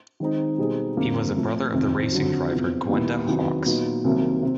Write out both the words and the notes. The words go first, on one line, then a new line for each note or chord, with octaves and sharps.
He was a brother of the racing driver Gwenda Hawkes.
D#3 G#3 C4 D#4
B2 G3 C4 D#4 G#4
F2 D3 G3 A#3
C3 F3 A3
F2 C3 D#3
F2 D3 F#3
E2 C3 F3
D#2 D#3 G3 B3 E4
E2 C3 D#3 F#3 B3
A#2 F#3 B3 D#4
C2 C3 D#3 F#3 A#3
C3